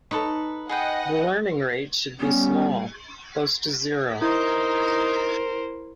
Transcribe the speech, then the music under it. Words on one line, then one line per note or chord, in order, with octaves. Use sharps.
The learning rate should be small, close to zero.
D#4 A4 B4 C#6
G#4 B4 D#5 F#5 G5
G3 B3 C#4
D#4 E4 A#4 C5